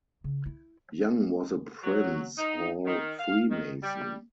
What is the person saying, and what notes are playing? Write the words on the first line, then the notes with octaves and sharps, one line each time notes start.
Young was a Prince Hall Freemason.
C#3
E4
F#3
D#4
D#3
F5
D#3
G3